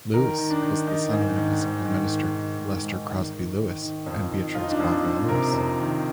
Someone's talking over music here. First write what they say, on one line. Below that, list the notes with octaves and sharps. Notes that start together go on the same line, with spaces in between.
Lewis was son of Episcopal minister Leicester Crosby Lewis and Beatrix Baldwin Lewis.
D#3 A#4
D#3
D4
D#3
D#3 D#4
G#2
D#3
G#2
D#3
D#3
D#3
G#2
G#2
D#3
D#3
D#3
D#3
F2
D#3
F2 F4
D#4
D4
F2 D#4
D4
F2
C3 A#4
F2
D#3